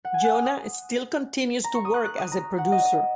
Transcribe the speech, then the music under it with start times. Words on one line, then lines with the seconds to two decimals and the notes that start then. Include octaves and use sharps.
Jonah still continues to work as a producer.
0.05 F#5
0.14 G#5
0.25 F#6
0.34 D#6
0.44 D#6
1.64 A#5
1.75 C#6
1.85 D#6
1.94 F#6
2.05 F#6
2.19 D#6
2.32 A#5
2.58 F#5
2.72 D#5
2.85 D#5